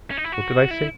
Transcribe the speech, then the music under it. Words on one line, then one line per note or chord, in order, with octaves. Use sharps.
What did I say?
C#4
D#4
E4
F#4
E4